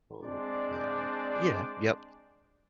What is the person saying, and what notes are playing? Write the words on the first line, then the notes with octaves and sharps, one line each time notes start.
Oh yeah, yeah, yep,
G#3 C4 D4 C5 D5